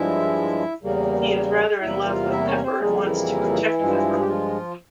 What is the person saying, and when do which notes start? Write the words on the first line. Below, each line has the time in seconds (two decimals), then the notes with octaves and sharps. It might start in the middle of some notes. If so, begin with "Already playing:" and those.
He is rather in love with Pepper and wants to protect Pepper.
Already playing: G2 F3 G#3 E4 E5
0.83 E2 C#3 G3 A#3
1.82 E2 C3 G3 A#3 E4 E5
2.06 F4 F5
2.31 E4 E5
2.47 C#4 C#5
2.63 C4 C5
2.74 G4
2.80 F2 C#3 G3 G#3 A#3 G#4
3.05 E3 E4
3.79 G2 F3 G#3
4.13 G#4
4.21 G4
4.28 F3 F4